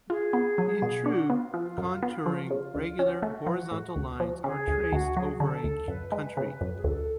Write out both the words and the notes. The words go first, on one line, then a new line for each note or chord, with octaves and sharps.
In true contouring regular horizontal lines are traced over a country.
F4 G#4
B3
F#3
B2
D4 F#4
B3 F4
F3
F#2
B3
F3
F#4
C#3 F4
D2
C#4 F#4
A3
F3
A2
D2
F3
C#3 G#4
D2
D2 F#4
F#3 G#4
D3 A4
D2
F#2 B4
G#3
C#3
F#2
G#4
D2 A4